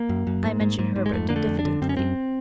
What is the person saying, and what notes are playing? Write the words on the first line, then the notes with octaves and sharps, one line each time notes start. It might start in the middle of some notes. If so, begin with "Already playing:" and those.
I mentioned Herbert diffidently.
Already playing: A#3
F#2
F#2
G#2
G#2
G#2
G#2
G#3
F2 A3
D3 A#3
A3
F2
D4
D3
F#2 C4
C#4
F#2 C4